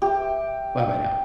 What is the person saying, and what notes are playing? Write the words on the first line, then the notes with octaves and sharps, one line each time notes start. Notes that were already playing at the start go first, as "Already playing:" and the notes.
Bye-bye now.
G4 E5